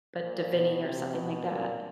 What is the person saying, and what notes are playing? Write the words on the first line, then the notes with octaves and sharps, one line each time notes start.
but Dhivehi or something like that.
A#2
B2
C3
B2
A#2